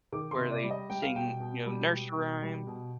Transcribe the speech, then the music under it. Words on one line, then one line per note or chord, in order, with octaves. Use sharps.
where they sing, you know, nursery rhyme
D#3 D6
C6
C3
D5
G3
D#5
G3 G5
F5
B2 G5
B2
G3
G3
B2
G3
B2